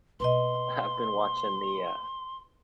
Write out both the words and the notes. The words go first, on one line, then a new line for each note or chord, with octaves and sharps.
I've been watching the, uh
B2 A#3 B4 D#5 C6